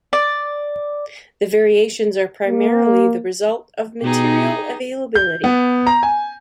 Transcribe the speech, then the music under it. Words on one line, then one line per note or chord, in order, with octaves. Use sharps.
The variations are primarily the result of material availability.
D5
A#3
B2 D#4 G4 G#4
G6
B3
A#5
G#5